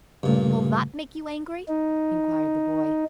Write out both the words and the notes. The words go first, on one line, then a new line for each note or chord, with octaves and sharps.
"Will that make you angry?" inquired the boy.
G2 A#2 C#3 A3
D#4